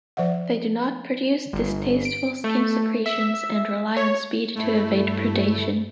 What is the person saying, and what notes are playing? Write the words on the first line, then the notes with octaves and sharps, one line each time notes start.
They do not produce distasteful skin secretions and rely on speed to evade predation.
F3 D5 E5 F#5
G1
D7
A3
E5
C#5
G2 A3 E4